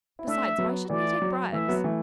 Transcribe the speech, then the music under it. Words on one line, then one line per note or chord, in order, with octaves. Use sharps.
Besides, why shouldn't he take bribes?
E4
A3 D4 E5
F#3 B3
E3 A3 D5
F#3
E3 A3 E5
F#3 B3
E3 A3